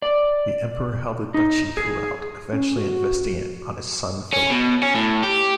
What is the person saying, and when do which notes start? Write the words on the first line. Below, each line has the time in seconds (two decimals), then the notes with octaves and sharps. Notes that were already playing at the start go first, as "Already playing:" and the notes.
The emperor held the duchy throughout, eventually investing it on his son Philip.
0.02 D5
1.34 D#4
1.77 G#4
2.53 C#4
2.77 F#4
4.33 C#4
4.50 B2
4.83 C#4
4.95 A2
5.24 G4